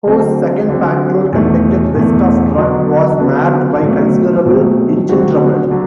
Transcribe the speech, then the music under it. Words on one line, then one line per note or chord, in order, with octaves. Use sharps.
"Hoe"'s second patrol, conducted west of Truk, was marred by considerable engine trouble.
D3 F#3 C4
D3 F#3 C4
E2 B2 A3
E2 B2 A3
D3 F#3 B3 D4 F#4
D3 F#3 B3 D4 F#4
B2 F#3 A3 C4
B2 F#3 A3 C4
D3 F#3 A3 C4 F#4
D3 F#3